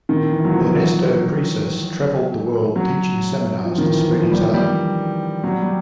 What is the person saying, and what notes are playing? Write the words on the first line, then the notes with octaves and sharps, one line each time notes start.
Ernesto Presas traveled the world teaching seminars to spread his art.
D#3
E3
F#3
F3
F#3
F#3
F3
D#3
E3
F3
G3
G3
F#3
G3